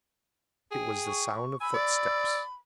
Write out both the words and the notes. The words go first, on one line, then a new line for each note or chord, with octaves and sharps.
It was the sound of footsteps!
G#4 G5
C#6
G#5 B5 E6
D5